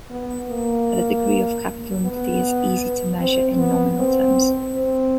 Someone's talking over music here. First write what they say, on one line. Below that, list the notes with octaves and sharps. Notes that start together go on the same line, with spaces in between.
The degree of capital intensity is easy to measure in nominal terms.
B3
A#3
B3
C4
B3
C4
C4